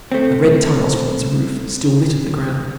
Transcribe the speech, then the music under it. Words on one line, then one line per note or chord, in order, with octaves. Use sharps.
The red tiles from its roof still litter the ground.
A3 C4